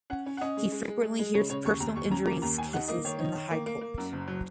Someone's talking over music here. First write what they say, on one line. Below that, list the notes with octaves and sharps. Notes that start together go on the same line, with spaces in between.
He frequently hears personal injuries cases in the High Court.
C#4 F#5
C#4
F#5
C#4 D#5
G#3
G#3
G#3
G#3
G#3
C#3 C#5
C#3 C#5
D#2 C#6
D#2 A#5
D#2 C#6
C#4 A#5
A#3 A#5
D#2 A#5
D#3 G#5
D#4 F#5
A#3 D#5
D#3 C#5
D#4
D#3
A#3
A#3
A#3
F#2
F#1
F#3